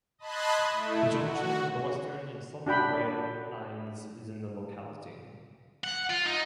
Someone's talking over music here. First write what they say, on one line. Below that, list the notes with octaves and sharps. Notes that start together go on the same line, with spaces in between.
The junction of the western and southern rail lines is in the locality.
D#5 A5 B5 C6 F#6 G#6
A3 E4
F#4
D4 F#4 G5 B5
F#5
F4
D#4